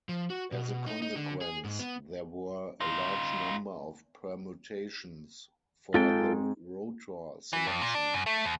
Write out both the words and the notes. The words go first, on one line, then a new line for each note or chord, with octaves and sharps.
As a consequence, there were a large number of permutations for the rotor selection.
F3
F#4
B2
D#4
D#4
D3
G#4
G#2
B3
D#4 F4
G#2 G#3 C4 F4 A4 G5
E3
F2
A#2
D4
F#2
A3
D#2